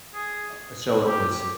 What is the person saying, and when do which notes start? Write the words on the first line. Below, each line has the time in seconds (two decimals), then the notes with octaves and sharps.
Uh, so it was
0.14 G#4
1.07 G4